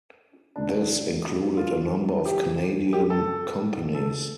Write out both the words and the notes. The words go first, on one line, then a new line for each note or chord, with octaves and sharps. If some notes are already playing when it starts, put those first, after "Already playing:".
This included a number of Canadian companies.
D4
F4
G4
G4
A4
A4